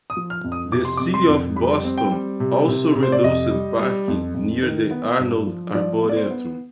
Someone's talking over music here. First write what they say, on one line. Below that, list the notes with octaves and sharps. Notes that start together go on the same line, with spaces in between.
The city of Boston also reduced parking near the Arnold Arboretum.
D#6
F3
F6
F2
D#6
C3 D6
C6
F2 D6
C6
F2
G3 B5
C4
G5
G3
C3
C3
C3
C5
D5
F2 D#5
G3
G3
F2
F2
D#3
B3
G2
F3
F3 D5
B3
D5
C5
B3